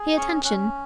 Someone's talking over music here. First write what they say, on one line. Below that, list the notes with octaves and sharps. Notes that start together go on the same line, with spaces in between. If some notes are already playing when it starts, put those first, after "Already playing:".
Pay attention!
Already playing: G#4
C#4 C#6
C#4 F#6